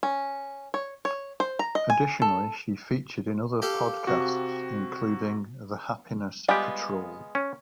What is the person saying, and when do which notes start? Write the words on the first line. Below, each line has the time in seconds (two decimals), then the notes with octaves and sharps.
Additionally, she featured in other podcasts including "The Happiness Patrol".
0.03 C#4
0.74 C#5
1.05 C#5
1.40 C5
1.59 A#5
1.75 D#5
1.90 G#5
2.22 A4
3.62 G4 A4 F5
4.07 C3 F#4
6.48 G3 G#3 B3 F4 G4
7.35 C#4